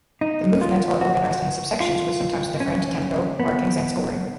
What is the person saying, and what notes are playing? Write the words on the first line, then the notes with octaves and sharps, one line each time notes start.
The movements are organized in subsections with sometimes different tempo markings and scoring.
D#4
F4
F#4
F4
C#4
B3